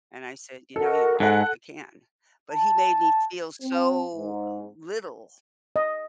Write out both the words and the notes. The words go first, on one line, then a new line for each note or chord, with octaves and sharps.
and I said, "You know, you're right, I can." But he made me feel so little.
F#4 A4 A#4 D#5
G#2 A4 F#5 F#6
A5
C4
G#2
D#5